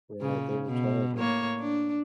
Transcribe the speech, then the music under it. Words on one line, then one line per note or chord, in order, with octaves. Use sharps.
Right. They were terrible.
A#2 C#3
B2
A2 A#3 C#5
D4